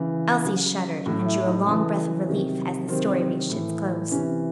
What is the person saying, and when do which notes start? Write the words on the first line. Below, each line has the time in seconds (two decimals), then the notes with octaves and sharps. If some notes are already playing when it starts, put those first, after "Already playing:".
Elsie shuddered, and drew a long breath of relief, as the story reached its close.
Already playing: C#3 E3
0.44 C#3 F#3
1.06 A2 F#3 F#4
1.26 E4
1.36 E4
1.46 D#4
1.66 C#3 E3 A3
2.28 C3 D#3 F#3
2.88 C3 D#3 F#3 C4
3.50 A2 E3
4.11 C3 E3 C#4